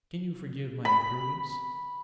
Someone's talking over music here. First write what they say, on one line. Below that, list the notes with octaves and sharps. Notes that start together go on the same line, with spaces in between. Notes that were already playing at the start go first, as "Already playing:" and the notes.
'Can you forgive my imprudence?'
B5